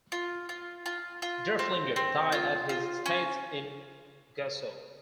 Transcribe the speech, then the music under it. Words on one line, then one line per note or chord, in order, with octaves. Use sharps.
Derfflinger died at his estates in Gusow.
F4
F4
F4
F4
C4
C4
F4
F4
C#4